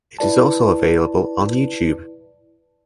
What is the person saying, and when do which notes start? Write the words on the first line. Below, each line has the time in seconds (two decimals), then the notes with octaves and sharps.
It is also available on YouTube.
0.19 E4 B4 D5 A5